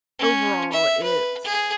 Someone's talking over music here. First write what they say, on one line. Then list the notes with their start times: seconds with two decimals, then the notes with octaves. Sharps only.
overall, it's
0.19 C#4
0.73 E5
1.03 B4
1.45 G#4